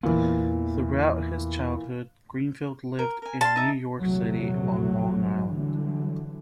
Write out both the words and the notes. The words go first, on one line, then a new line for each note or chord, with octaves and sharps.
Throughout his childhood, Greenfield lived in New York City, on Long Island.
E2 A#2 E3 B3
A#4
A#4 G#5
F5 A5 C6
D#4 E5 D#6
A#1 E2 G#2 C3 F#3 A3
D3 E3 F#3 G3